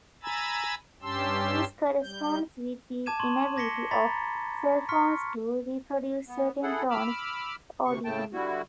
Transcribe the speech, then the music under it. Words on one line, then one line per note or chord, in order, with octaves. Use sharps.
This corresponds with the inability of cellphones to reproduce certain tones audibly.
G#5 A#5 B5 E6 G#6 A6
G2 C#4 G4 A5 C6 E6
G3 G6
A5 D6 G#6 D#7 E7
C6 C#6 G#6 F#7
D6 G#6 A#6 B6 C#7 G7
A#5 B5 A6 B6
C6 C#6 F6 B6 C#7
B3
E4 G#4 A4 F#5
B5 D6 E6 F6
D2 C3 C#6
A2 C#3 A3 G5 A5
D3 G3 E4 F#4